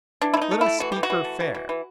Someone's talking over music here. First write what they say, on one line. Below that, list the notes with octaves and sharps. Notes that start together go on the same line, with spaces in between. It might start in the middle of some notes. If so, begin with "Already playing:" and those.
Let us speak her fair.
E3 D4
E4
A3
D#4
A3
E4
A3
E3 F#4
E3 G4
F#4
E3
A3
E3
E3
E3